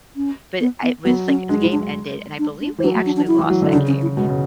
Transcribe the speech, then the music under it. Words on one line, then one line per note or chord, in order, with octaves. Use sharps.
but I was, like the game ended, and I believe we actually lost that game.
C#4
B3
B3
F#3 B3
C#4
G#3 D4
E4
D4
D4
D4
E3
F#3 D4
A3
D4
D4
E4
E3
F#3
D3
C#3 D4
C#4
E4
B2 G#3
C#3